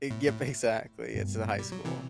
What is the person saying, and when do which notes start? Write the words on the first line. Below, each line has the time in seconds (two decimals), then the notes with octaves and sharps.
A g exactly it's in high school.
0.10 A2
0.28 A2
1.15 G2 B2
1.59 G3
1.72 F#3
1.85 C3 E3